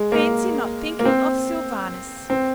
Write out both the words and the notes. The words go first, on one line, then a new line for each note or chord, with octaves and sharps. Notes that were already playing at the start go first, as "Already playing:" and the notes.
"Fancy not thinking of Sylvanus!"
Already playing: G#3
A#3
A#3
C4
C4